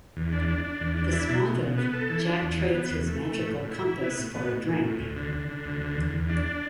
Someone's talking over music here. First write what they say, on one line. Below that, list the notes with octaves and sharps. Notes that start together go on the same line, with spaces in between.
Despondent, Jack trades his magical compass for a drink.
E2
D4
D4
D4
E2
D4
E4
B2
B2
B2
B3
A4
E3
D4
E2
E3
B3
E2
A3
A3
A2
A2
E4
E4
B3
A2
B3
A2
A2
A2
D2
D3
D3
D3
D2
D3
E2
E2
D4